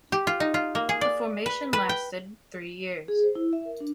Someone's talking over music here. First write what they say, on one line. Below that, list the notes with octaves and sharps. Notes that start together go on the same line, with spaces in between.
The formation lasted three years.
G4
F4
D#4
F4
A#3
G#4
D5
B4
B4
G5
G#4
C5
E4
E5
A#4
D4